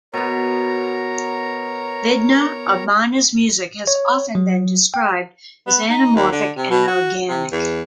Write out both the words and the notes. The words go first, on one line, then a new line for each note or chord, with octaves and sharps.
Vidna Obmana's music has often been described as anamorphic and organic.
B2 B3 A#4 C#5 A#5
C#5
F#3
G5
B3
D#4
D#2
D3
C3
B2
F#4
C3
E2